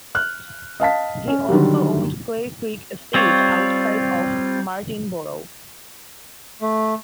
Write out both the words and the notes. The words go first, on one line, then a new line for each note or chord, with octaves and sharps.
He also owned Clay Creek Estate outside of Martinborough.
F6 F#6
D#5 F5 A5 B6
C#4
D3 D#3 F#3 G3
G3 C4 F4 C#5
A3